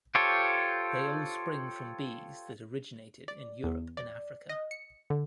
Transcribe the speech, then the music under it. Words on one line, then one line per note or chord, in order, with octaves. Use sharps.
They all spring from bees that originated in Europe and Africa.
F4 G4 A4 C5 C#5
D5
E2
D5
D#5
C#7
D3